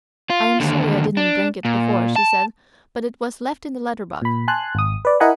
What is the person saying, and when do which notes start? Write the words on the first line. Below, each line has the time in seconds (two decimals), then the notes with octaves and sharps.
"I am sorry I didn't bring it before," she said, "but it was left in the letter-box."
0.30 F4
0.60 D#2 D3
1.17 D4
1.65 A#2
2.16 A5
4.22 A#2 B5
4.48 G#5 A5 C6 F#6
4.75 G#1 D#6
5.05 B4 D5
5.20 E4 A#4 D#5 F#5 G#5 B5